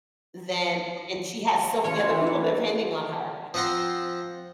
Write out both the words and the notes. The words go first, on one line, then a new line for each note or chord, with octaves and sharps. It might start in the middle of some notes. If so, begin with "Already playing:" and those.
than and she has so many other people depending on her,
E3 C#4 F4 C#5
C4 F#4 C5
E3
F#5
F3 C4 F#5 A#5 C6